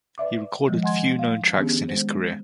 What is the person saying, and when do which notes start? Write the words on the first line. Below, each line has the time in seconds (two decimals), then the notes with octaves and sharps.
He recorded few known tracks in his career.
0.18 B4 D5 E5 D6
0.68 D#3 F3 G#3
0.82 D#5 F#5 G#5 C6 G#6
1.19 F5
1.57 D#3 B3 C#4 D4 G4 G#4
1.88 G#3 C5